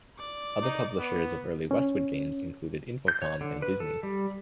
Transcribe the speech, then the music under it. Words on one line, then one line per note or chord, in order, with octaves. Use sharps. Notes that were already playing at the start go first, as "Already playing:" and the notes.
Other publishers of early Westwood games included Infocom and Disney.
D5
D#4
B3
C#4
G6
C#5
D3
B4
A4
G3